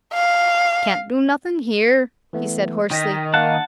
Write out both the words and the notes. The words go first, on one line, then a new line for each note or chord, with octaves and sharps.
"Can't do nothin' here," he said hoarsely.
F5
E3 A3 B3
D#3 G5 A#6 B6
A#3 F5 F#5 A5